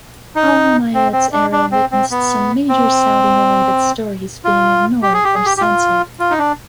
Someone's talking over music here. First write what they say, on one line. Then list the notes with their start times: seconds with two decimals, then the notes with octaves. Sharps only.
Alhomayed's era witnessed some major Saudi-related stories being ignored or censored.
0.36 D#4
0.94 C4
1.13 C4
1.33 D4
1.52 D4
1.72 C4
1.91 C4
2.11 B3
2.69 C4
4.45 F4
5.02 G4
5.13 G#4
5.24 G4
5.35 G#4
5.46 G4
5.57 G4
5.61 F4
6.20 F4
6.30 D#4
6.39 D4